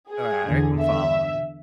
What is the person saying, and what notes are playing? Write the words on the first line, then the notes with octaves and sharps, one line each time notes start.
All right, I'm following you.
G#4
E2 D3
E5